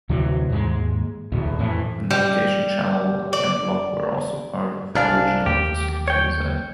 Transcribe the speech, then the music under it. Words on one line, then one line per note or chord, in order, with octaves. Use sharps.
A navigation channel and lock were also part of the original facility design.
D2 C3 E3 F#3
D#2 G#2 G#3
D1 B1 E2
F2 A2 E3
G3
D5
C2 D4 A#4 F5 G#5
D#2 A3 G4
C#5 G5